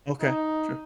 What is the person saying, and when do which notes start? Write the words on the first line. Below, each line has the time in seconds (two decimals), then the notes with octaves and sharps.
Okay, sure.
0.21 D#4